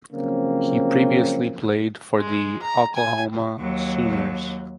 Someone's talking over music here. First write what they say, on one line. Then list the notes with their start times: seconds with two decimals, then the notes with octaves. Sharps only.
He previously played for the Oklahoma Sooners.
0.13 C#3 F3 F#3 A#3 C4 C#4
2.18 G#3
2.62 A#5
2.95 G#5
3.59 D#2 F#3